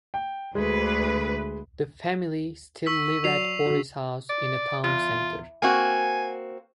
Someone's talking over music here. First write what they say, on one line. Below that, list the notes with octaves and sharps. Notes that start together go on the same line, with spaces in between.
The family still live at Borris House in the town centre.
G5
D2 G#3 B4
C#6 E6 B6
F#3 D5 C7 F7
D3 F#4
D5
E2 F4
A#3 C4 F#4 G#5